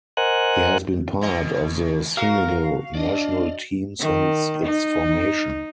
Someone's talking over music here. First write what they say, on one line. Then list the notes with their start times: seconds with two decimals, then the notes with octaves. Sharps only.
He has been part of the Senegal national team since its formation.
0.17 A#4 C5 D#5 F#5 G#5 F#6
1.21 E2 B2 D#5
2.17 F#4 A#4 F5
2.95 D4 D5 D#5
3.99 D#3
4.65 D#4